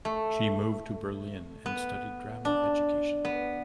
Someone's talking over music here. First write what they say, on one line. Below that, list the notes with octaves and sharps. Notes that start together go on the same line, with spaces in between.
She moved to Berlin and studied drama education.
A3
B3
D4
B3